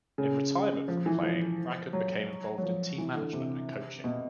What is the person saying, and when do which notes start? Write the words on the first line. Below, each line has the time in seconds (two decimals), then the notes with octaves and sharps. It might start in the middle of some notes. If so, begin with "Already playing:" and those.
In retirement from playing Rackard became involved in team management and coaching.
0.18 C#3
0.88 F3
1.06 E3
1.23 F3
1.93 F#3
2.58 F#3
2.63 F3
2.98 E3
3.16 D3
3.33 C3
4.04 B2